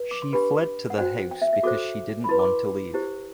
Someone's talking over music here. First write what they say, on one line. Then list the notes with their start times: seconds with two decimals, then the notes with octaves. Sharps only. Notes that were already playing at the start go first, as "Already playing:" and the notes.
She fled to the house because she didn’t want to leave.
Already playing: B4
0.11 D6
0.22 C6
0.33 D4 G4 B4 B5
0.90 F#5
0.98 F#4 C5 G5
1.31 G5
1.42 E5
1.53 E5
1.63 F#4 A4 C5 D6
2.24 B5
2.29 E4 B4 C6
2.39 D6
2.45 C6
2.94 E4 G4 C5